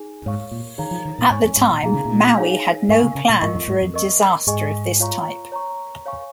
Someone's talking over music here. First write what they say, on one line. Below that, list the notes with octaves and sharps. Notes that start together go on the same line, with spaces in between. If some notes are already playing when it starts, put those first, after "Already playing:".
At the time, Maui had no plan for a disaster of this type.
Already playing: D#4 G#4 G#5
G#2 C#5 F5 C#6
A#2
D#3 D#4 G#4 C#5 F5 A#5
F3
D#3
A#2
G#2 C#5 G#5 C#6
F2
G#2
A#2
A#2 D#4 G#4 F5 A#5
C#3
A#2
D#4 G#4 C#5 F5 G#5
G#2 A#4 F5 G#5 C#6
C#3
C#3
A#2
G#2 F4 A#4 D#5 C#6
F2
G#2
F2
A#4 D#5 C#6
G#2 G#4 D#5 G#5 C#6
F4 C#5 F5 A#5 C#6
C#5 A#5 C#6
C#5 F5 G#5 C#6